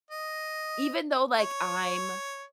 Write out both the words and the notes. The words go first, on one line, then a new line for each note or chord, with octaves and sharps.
Even though, like, I'm
D#5
C#5